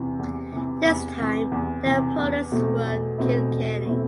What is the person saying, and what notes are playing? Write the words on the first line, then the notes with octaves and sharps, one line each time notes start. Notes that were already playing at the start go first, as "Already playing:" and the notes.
This time their opponents were Kilkenny.
Already playing: E2 C3 E3
E2
C3 E3
E2
C3 E3
E2
C3 E3
E2
B2 A3 C4 E4
E2
B2 A3 C4 E4
E2
B2 A3 C4 E4